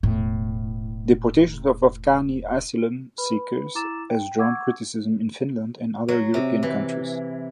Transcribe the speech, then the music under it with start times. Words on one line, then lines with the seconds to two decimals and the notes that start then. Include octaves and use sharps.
Deportations of Afghani asylum seekers has drawn criticism in Finland and other European countries.
0.03 E1 A2
3.18 B4 B5
3.75 E4 A#5 D6 E6 A6 E7
4.10 G5
4.38 F#5 C#6 D6 E6 G#6
6.08 F#3
6.34 C3
6.63 E3